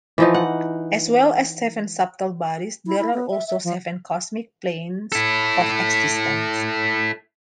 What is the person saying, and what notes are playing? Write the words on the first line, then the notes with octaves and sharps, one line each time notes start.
As well as seven subtle bodies, there are also seven Cosmic planes of existence.
E3 F3 D#4
F#5
E4
E4
B3
E5
E5
F3
E4 A4